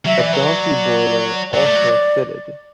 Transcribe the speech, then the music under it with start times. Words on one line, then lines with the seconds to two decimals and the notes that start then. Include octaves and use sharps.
A donkey boiler also fitted.
0.06 F#3 E5
0.20 E3 D5
0.33 F#3 B4
0.46 D5
1.53 F#3 D5
1.65 A3
1.75 F#3